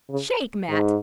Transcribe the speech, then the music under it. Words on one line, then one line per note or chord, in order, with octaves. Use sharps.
Shake, Matt!
C#3
G#2